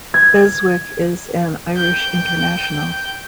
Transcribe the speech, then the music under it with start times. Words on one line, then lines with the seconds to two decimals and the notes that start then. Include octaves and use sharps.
Beswick is an Irish international.
0.14 G#6
1.77 G5 G6